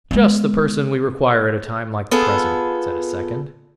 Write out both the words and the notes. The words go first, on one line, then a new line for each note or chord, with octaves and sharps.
"Just the person we require at a time like the present," said a second.
G#3 B3
B3 F4 G#4 A4